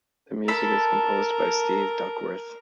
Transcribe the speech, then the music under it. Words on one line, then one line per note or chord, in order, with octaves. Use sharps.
The music is composed by Steve Duckworth.
A4 A#4 B5